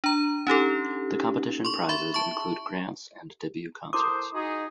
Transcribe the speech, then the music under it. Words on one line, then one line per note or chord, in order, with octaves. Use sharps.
The competition prizes include grants and debut concerts.
D4 A#5
C#4 D#4 G4 A4
C6 C#6
E5 B5
A5 C#6
E4 A4 A#4 C5 C6 D6 D#6
D#4 F#4 G#4